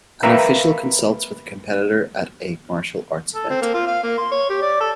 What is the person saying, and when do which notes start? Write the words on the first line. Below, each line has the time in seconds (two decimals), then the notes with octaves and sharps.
An official consults with a competitor at a martial arts event.
0.23 A#4 B4 E5 F5 G5 A#5
3.35 A4
3.50 C4
3.62 A#3
3.74 F4
3.87 F5
4.03 A#3
4.18 C6
4.32 C#5
4.50 G4
4.62 D5
4.81 A4